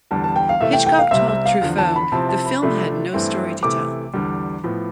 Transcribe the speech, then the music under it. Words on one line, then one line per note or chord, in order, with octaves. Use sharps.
Hitchcock told Truffaut "The film had no story to tell".
E2 D3 G3 A5
A5
G5
F5
C3 E3 A3 E5
G5
G5
F5
C2 C3 G3 C4 E5
E5
F5
E2 D3 F3
A5
B5
C3 F3 C4 E4 A5
A5
B5
C3 F3 A3 D4 B5
G2 E3 A3 C4 E4
C3 E3 A3 D6
E2 D3 G3
A2 F3 B3